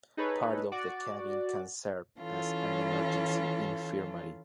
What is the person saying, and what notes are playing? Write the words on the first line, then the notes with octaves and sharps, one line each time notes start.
Part of the cabin can serve as an emergency infirmary.
D#4 G#4 A4 B4 C#5
F#4 D5
E3 C#4 F4 A4